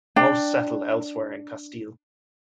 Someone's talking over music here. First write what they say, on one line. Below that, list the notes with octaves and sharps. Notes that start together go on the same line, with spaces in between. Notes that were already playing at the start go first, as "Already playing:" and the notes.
Most settled elsewhere in Castile.
D4 G5